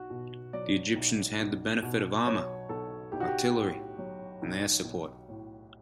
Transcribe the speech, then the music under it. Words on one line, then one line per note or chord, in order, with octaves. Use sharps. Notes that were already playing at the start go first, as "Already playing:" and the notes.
The Egyptians had the benefit of armor, artillery and air support.
Already playing: B1 F#4
B2
F#3 D5
B1
B1
B2
F#3 C#5
B1 A4
B1 G4
F#4
G4
A2
F#3
B1
B1
A2